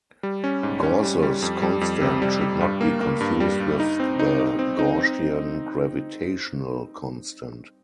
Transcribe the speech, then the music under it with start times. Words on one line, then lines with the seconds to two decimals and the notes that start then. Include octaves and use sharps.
Gauss's constant should not be confused with the Gaussian gravitational constant.
0.23 G3
0.44 C#4
0.63 G#2
0.83 C#4
1.03 G3
1.23 G3
1.42 F2
1.62 G3
1.81 F2
2.01 C3
2.22 G3
2.41 G3
2.60 G2
2.81 A#3
3.01 A#3
3.20 G2
3.40 G3
3.60 G2
3.80 D#4
4.00 C4
4.19 D#4
4.39 D#4
4.59 C4
4.79 D#4
4.98 C4